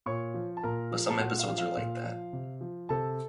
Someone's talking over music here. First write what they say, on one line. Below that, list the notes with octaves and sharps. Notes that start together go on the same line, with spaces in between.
But some episodes are like that.
A#2 C#5 C#6
F3
A5
A#2 A#4 A#5
F3
A5
A#2 F#4 F#5
F5
F3
F5
A#2
F3
C3
F3
C3 A4 A5